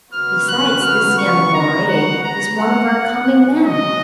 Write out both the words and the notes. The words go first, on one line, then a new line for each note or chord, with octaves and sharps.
Besides, this young Moray is one of our coming men.
D#2 C#3 F#3 B3 F#4 F6
F#6
F6
C#6
A#5
F#5
A#5
F#5
B2 F#3 C#4
D#5